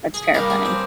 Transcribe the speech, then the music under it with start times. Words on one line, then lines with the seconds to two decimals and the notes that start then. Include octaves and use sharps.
That's terrifying.
0.14 G#4
0.34 G2 G3 A#3 A#4
0.50 G#4
0.65 C4